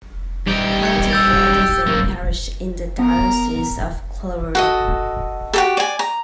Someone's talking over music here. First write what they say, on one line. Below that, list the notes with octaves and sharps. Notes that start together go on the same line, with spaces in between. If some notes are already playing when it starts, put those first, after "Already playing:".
Clontibret is a parish in the Diocese of Clogher.
G3 D#4 G4
G#6 C#7
E6 G6 A6
F#2 A#3
B3 A#4 A#5
F#4 A4 D#5
F#4 G4 A4
D5 G#5
A#5